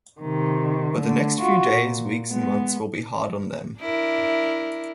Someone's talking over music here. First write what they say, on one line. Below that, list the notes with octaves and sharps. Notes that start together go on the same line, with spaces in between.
But the next few days, weeks, and months, will be hard on them.
C3 D#3
D3 A3
F4 F#4
A#2
G#3 B3
D4 E4 A#4